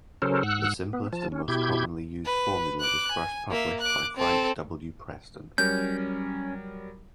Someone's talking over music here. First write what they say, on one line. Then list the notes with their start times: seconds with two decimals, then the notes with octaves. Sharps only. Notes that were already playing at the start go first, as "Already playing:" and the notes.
The simplest and most commonly used formula was first published by Frank W. Preston.
0.22 C#3 F#3 C#4 A4 A#4 C5
0.43 G#2 F#5 E6 F#6
0.93 B3
1.13 F3 A5
1.32 C#4
1.48 B2 E4 G4 G6 G#6
2.25 B4
2.80 D6 F#6
3.12 G#5
3.51 A#3 E5
3.81 D6 F#6
4.17 C4 A4
5.58 F#3 G3 C#4 A#4 G6